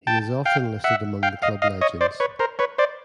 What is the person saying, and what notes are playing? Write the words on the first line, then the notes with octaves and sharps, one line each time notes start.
He is often listed among the club legends.
G5 A5
F5 G5
E5 F#5
F5 G5
D#5 F5
D#5 F5
C#5 D#5
C5 D5
B4 C#5
A#4 C5
B4 C#5
C5 D5